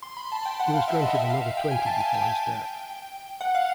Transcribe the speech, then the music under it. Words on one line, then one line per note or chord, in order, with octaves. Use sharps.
He was granted another twenty before his death.
C6
B5
A5
G5
F#5
F5
E5
D#5
E5
F5
G5
G#5
A5
G#5
G5
F#5
F5